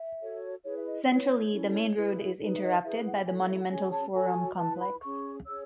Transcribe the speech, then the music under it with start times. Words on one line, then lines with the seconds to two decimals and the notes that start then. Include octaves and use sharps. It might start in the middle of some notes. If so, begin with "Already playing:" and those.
Centrally the main road is interrupted by the monumental forum complex.
Already playing: E5
0.19 F#4 A4 C#5
0.63 E4 G#4 B4 C#5
0.77 E5
0.85 D#5
1.07 E4 B4 C#5
1.51 C#4 E4 A4
1.95 E4 G#4 B4
2.39 D#4 G#4 B4
2.55 E5
2.61 D#5
2.82 E4 G#4 B4 E5
3.05 F#5
3.26 E4 A4 C#5 G#5
3.37 F#5
3.48 E5
3.59 F#5
3.70 C#4 G#4 C#5 G#5
3.92 A5
4.14 F#4 A4 C#5 G#5
4.58 E4 B4 A5
4.80 B5
5.01 C#4 G#4 C#5 C#6
5.45 C#4 G#4 C#5 E6